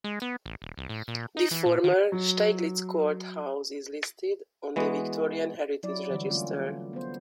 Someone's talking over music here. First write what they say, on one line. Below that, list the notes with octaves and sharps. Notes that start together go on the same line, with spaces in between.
The former Steiglitz Court House is listed on the Victorian Heritage Register.
G#3
B3
A1
D#1
C2
A2
A#2
D#4
E3
A#2
D#3
F#3
E3 G#3 B3 F#4
F#3 E4 D5
D3 E3 G3
D3 E3 A3 A#3 C#4 F4
B3 C5